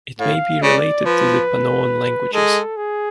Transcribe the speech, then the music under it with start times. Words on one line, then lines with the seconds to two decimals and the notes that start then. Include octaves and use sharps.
It may be related to the Panoan languages.
0.19 A2 F5
0.62 C#3 D5
1.05 F3 B4
2.34 G#3 A4
2.77 G#4